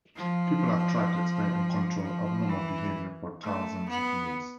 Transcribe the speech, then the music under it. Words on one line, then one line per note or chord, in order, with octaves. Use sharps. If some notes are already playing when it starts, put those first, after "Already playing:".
People have tried to explain and control abnormal behavior for thousands of years.
F3
F3
E3
A3
B3